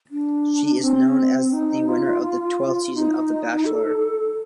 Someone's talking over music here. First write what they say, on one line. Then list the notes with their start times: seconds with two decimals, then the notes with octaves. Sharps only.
She is known as the winner of the twelfth season of "The Bachelor".
0.11 D4
0.81 C4
1.53 D#4
1.89 F4
2.95 D#4
3.65 A4